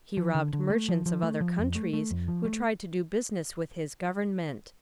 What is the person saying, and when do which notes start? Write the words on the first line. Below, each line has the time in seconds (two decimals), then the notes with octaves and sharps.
He robbed merchants of other countries who tried to do business with his government.
0.17 F3
0.35 D3
0.53 D3
0.70 A3
0.88 F3
1.06 F3
1.23 A3
1.41 F3
1.59 F2
1.75 A3
1.93 A3
2.11 F2
2.28 F3
2.45 A3